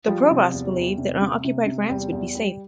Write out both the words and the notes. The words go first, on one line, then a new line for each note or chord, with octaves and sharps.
The Provosts believed that unoccupied France would be safe.
F3 G3
C3
E2
E2
C3
C3
C3
C3
E2 G3
E2
G3